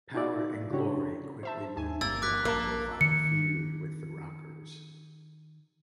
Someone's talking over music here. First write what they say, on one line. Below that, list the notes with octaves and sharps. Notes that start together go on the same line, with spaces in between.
Power and Glory quickly moved into a high-profile feud with The Rockers.
D#4 F4 F#4 G#4 D5 E5
C#3 D4 E4 F#4 G4 C#5
C5 E5 A5
D#2 G#5
G1 G2 A#3 E6 A6
D6 F#6 B6
A#1 A#3 A#4 A5 D6
D#3 C#7